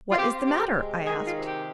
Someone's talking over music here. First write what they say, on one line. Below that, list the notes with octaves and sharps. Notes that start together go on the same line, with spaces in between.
"What is the matter?" I asked.
F4
C4 G4
C3 G4
G#3
D#3 G#4
F4
C3
G4